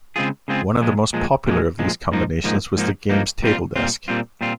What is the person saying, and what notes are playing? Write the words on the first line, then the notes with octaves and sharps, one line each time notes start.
One of the most popular of these combinations was the games table desk.
C#3 G#3 C4 F4 G#4
C#3 G#3 C4 F4 G#4
A#2 F3 G#3
A#2 F3 G#3
A#2 F3 G#3
A#2 F3 G#3
G#2 F3 A#3 D#4
G#2 F3 A#3 D#4
G#2 F3 A#3 D#4
G#2 F3 A#3 D#4
A#2 G3 C4 F4
A#2 G3 C4 F4
A#2 G3 C4 F4
A#2 G3 C4 F4